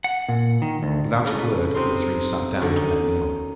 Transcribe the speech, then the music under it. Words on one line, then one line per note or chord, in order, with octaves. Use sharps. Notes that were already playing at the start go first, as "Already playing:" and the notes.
Without a word the three sat down to their meal.
F#5
A#2
D#3
D2
C#3 A3 C#4 B4 A#5
C3 C4 D#4 C6
D3 D#3 C#4 F#4 A4
D#4